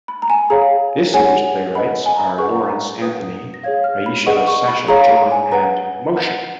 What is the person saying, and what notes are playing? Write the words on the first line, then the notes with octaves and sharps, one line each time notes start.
This year's playwrights are Laurence Anthony, Aisha Sasha John and Motion.
B5
A#5
G#5
G#4 C#5 F5 A#5
G#4 C#5 F#5 G#5
B4 D#5 F#5 B5
G#5
A#5
B5
G#4 B4 F#5 C#6
A#5
B4 F#5 D#6
A#6
G#4 C#5 F5 G#6
F6
B5
G#4 B4 D#5 F#5 C#6
C#6
B5
G#4 C#5 F5 A#5
A#5
G#5
B4 F#5 A#5
B4 F#5